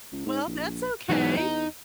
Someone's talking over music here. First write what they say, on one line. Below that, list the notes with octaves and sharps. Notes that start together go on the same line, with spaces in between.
Well, that's okay.
C#2
G#2
A#1
G#2 E3 F#3 B3
E2 D#4